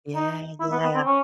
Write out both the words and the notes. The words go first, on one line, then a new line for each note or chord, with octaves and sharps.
Yeah, yeah.
D#4
E4
B3
B3
C4
C#4